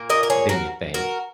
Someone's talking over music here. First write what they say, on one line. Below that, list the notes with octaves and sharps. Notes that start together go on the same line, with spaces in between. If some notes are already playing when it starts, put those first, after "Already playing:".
than you think,
Already playing: A#2 A#3
A#4 D#5
A#4
G#4 C#5
F#4 A#4
F#4 A#4